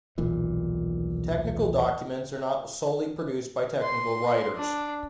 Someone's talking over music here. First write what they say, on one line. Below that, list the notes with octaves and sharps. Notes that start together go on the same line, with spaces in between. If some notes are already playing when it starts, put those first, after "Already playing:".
Technical documents are not solely produced by technical writers.
D#1 B1 A#2 E3
C6
D4